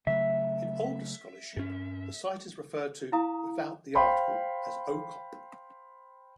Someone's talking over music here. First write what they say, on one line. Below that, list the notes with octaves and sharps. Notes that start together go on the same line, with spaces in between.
In older scholarship the site is referred to without the article as Okop.
C#3 F#3 A3 E5
G2 C#4
E4 F5 A#5 D#6
C5 F5 G5 B5 C6